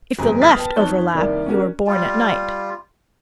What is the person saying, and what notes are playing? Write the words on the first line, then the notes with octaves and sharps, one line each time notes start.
If the left overlap, you were born at night.
G1 F2 G#4 G#5 A#5
D#6 F6 G#6 A6 B6 C7
B4 G5 A5
F2 D#4 C#5 A5 F#6 G7
C2 D#3 A#3 D5
C#4 D4 F#4 A#4
G3 F4